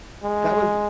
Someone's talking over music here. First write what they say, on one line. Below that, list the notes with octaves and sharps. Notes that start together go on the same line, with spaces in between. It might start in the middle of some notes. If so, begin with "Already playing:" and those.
That was
G#3